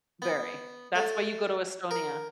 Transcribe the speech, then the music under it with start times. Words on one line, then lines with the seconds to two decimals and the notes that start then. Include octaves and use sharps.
Very. That's why you go to Estonia.
0.22 B3
0.96 A3
1.91 A#4